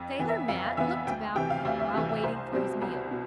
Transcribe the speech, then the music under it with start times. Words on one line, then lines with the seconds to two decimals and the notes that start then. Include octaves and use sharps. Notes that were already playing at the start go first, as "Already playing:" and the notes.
Sailor Matt looked about him while waiting for his meal.
Already playing: F2
0.19 E3 B3
0.29 E5
0.48 F2 F5
0.77 E3 B3 E5
1.07 D2 G5
1.35 C3 E3 G5
1.50 F5
1.65 D2 E5
1.80 E5
1.94 C3 E3
2.09 E5
2.23 C2 C5
2.53 B2 G3 C4
2.82 C2
3.11 B2